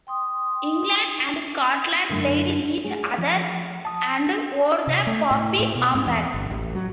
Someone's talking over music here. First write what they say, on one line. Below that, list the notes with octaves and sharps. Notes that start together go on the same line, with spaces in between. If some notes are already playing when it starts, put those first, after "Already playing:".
England and Scotland played each other and wore the poppy armbands.
G5 C6 D#6
F#2 D3 A3
A3 G#4
F3
A5 D#6
C3
A3
A2
A2
B2
G#2
E2
G1
A1
F#3